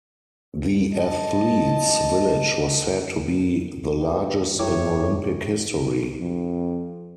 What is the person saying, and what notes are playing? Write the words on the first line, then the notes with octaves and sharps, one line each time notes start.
The athletes' village was said to be the largest in Olympic history.
D#5 A5
G2
F#2 A2 E4 G4 C#5 D6
F2